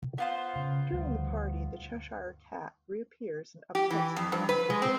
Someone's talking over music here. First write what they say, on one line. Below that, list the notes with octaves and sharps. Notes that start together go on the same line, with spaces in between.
During the party, the Cheshire Cat reappears and upsets the Dormouse.
B3 F4 C5
C#3
D2 G2
G4
E3
F2
G2
B4
G#3
C4